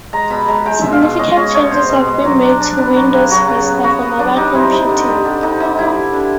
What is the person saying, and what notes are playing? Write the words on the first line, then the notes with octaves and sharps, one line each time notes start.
Significant changes have been made to Windows Vista for mobile computing.
G#3 A#5
B2 B5
G#3 A#5
G#3 G5
B2 E5
F5
B2
C#4 D#5
C#4
B2 C#5
B2 C5
B2
G#3
F#3
D4
D4
D4 B4
F#3
C#3
F#3 F#4
C#3
B3
B3 F#4
B3
F#3 D4
G3 D#4
C4 E4
G3 D#4
D3
G3
D3
D3 D#4
D3 D#4
G3 E4
G3
D3